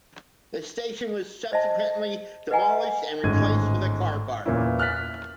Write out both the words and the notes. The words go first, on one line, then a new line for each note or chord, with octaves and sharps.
The station was subsequently demolished, and replaced with a car park.
C5 D#5 E5 A5
B4 D#5 F#5 G#5 A#5
G#1 A2 D3 G#3 G#6 D#7
E2 A#2 A#3 B3 C#4 E4
F6 F#6 A6 B6